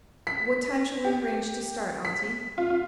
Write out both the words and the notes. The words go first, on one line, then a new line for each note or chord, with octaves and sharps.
"What time shall we arrange to start, auntie?"
B6
G4
B6
F4
F4